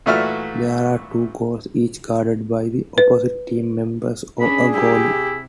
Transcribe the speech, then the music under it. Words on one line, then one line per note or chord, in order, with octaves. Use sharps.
There are two goals, each guarded by the opposite team members or a goalie.
A#2 E3 A3 F#4 E5 F6
B4
C#4 D4 G#4 B5
G3 E4 G4
C3